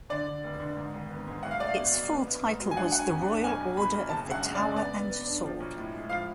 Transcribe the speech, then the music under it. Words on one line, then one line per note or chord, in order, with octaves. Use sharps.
Its full title was "the Royal Order of the Tower and Sword".
D3 D5
D3
F1
D3
G#2
G#1
B3
G#2
B1 F#5
F5
A3 D5
F5
B2
B1
B3
B3
G#2
F#3
G#5
D4 F#5
D4 F#5
G#5
F2
F#5
D4
B1 G#5
B1
B2 B5
B1
F#1 A5
F#2
F#5
G#3
D5
C#3
B3 D5
B3
B3
D4
F3
B1
A2
G#3
F3 F5